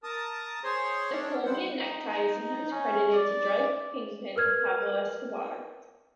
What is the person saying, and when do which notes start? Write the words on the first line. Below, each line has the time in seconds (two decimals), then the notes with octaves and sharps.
The Colombian necktie is sometimes credited to drug kingpin Pablo Escobar.
0.04 A#4 A5 D#6
0.64 G#4 C5 C#5 C6
1.11 C#4 D4
1.45 G3 B3 C4 C5 F#5
1.81 D#4
2.72 C#4
3.14 D5
4.36 A#4 B4 F6 G#6